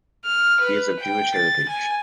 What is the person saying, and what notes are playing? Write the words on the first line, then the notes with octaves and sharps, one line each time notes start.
He is of Jewish heritage.
F6
B4
G5
A6
G#5